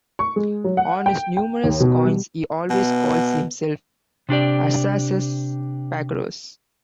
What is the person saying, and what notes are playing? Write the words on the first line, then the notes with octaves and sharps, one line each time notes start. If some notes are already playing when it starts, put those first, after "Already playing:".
On his numerous coins he always calls himself "Arsaces Pacorus".
C#6
G#3
F#3
F#5
G5
G5
D#2
B2
G3
B2 B3
C3 D4 G4 D5